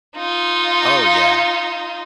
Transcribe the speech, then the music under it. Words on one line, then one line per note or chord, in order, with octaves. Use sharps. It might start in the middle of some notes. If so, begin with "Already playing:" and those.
Oh, yeah.
D#4 F4